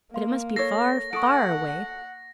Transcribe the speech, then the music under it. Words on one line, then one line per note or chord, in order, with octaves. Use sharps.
But it must be far, far away!
A#3 F5 C6
A4 C#5 A#6 C7
A4 F#5 C#6 D#6 D7